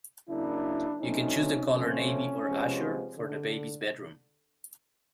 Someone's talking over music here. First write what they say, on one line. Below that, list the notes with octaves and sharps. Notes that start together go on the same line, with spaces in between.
You can choose the colour Navy or Azure for the baby's bedroom.
C#3 F#3 A#3 D4 E4
B2 F#3 A3 C4 C#4 D#4
C#3 F3 A3 C4 C#4
C3 F3 G#3 B3
D3